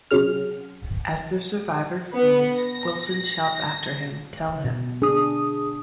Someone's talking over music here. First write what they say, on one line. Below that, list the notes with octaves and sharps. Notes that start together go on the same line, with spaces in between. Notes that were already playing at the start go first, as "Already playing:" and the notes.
As the survivor flees, Wilson shouts after him Tell him...
C3 F#3 C#4 G#4 F6
B3
A#6
B2
D4 G#4 D#6